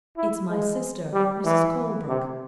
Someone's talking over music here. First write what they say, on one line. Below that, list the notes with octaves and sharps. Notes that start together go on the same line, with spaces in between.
It's my sister, Mrs. Colebrook.
E4
G#3
G3
E3
C3